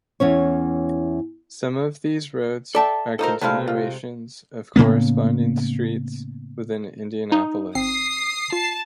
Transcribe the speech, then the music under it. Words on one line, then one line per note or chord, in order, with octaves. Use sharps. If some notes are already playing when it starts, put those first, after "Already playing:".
Some of these roads are continuations of corresponding streets within Indianapolis.
E2 E3 C#4 C#5
A4 D5 E5 G5 A5
F3 D#4 A4 A#4 C5
C3 G#3 A3 D4 E4 F5
F4
A2 C#3 A#3 B3
D#4
G1 C4 D#6 C7
F4 A5